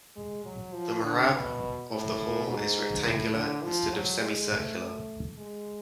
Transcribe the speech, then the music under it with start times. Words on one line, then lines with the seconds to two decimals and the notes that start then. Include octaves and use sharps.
The mehrab of the hall is rectangular instead of semi-circular.
0.16 G#3
0.45 F#3
0.73 F3
1.02 D3
1.32 B2
1.90 A2
2.47 G#2
3.06 A2
3.35 D3
3.63 F3
3.93 F#3
4.21 G#3
4.50 A3
5.38 G#3